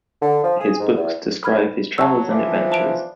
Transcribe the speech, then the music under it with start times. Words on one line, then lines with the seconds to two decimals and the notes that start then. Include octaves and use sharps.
His books describe his travels and adventures.
0.22 D3
0.44 F3
0.60 G#4
0.80 G#2
0.95 E2
1.44 B5 F6 G#6
1.98 F#3 A5 C#6 E6
2.30 E3 F3 D4
2.72 A5 D7